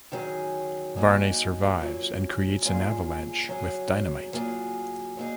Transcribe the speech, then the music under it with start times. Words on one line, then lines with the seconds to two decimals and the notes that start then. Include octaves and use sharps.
Varnay survives and creates an avalanche with dynamite.
0.12 D#3 F#3 C#4 G#4
0.96 F#3 A#3 D#4 G#4
1.80 F#3 A#3 C#4 F4
2.65 A#2 G#3 C#4 F4 G#4
3.49 F#3 C#4 G#4
4.33 F#3 A#3 F4 G#4
5.17 F#3 A#3 D#4 G#4